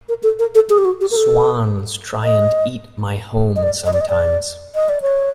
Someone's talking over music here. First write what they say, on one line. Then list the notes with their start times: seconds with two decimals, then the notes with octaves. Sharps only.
Swans try and eat my home sometimes.
0.09 A#4
0.23 A4
0.39 A#4
0.55 A4
0.70 G#4
0.78 G4
0.85 F#4
1.01 G4
1.11 A#4
1.16 A4
2.24 D#5
3.56 D#5
3.63 D5
3.86 D#5
3.93 D5
4.01 D#5
4.09 D5
4.75 D#5
4.89 D5
5.02 C#5